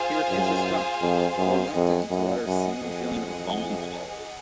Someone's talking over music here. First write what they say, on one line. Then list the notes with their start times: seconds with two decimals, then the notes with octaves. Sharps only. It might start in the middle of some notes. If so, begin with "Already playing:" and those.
He refuses to talk, reluctant to let her see him feeling vulnerable.
Already playing: F4 G#4 C5 F5 G#5
0.29 F#2
1.02 F2
1.38 F#2
1.74 F2 G#4 D#5 F#5
2.10 F#2
2.46 F#2
2.83 F2